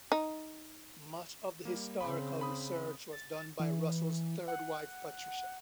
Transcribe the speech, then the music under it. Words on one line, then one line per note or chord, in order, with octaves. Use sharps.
Much of the historical research was done by Russell's third wife Patricia.
D#4
G3 A#3
C#3 C4 B5
B5 D#6
A6
E3
F#5